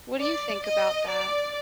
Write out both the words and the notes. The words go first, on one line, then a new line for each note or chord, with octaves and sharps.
What do you think about that?
D5
D#5
D5